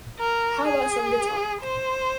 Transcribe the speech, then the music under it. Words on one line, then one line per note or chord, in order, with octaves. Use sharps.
How about some guitar?
A#4
G#4
C5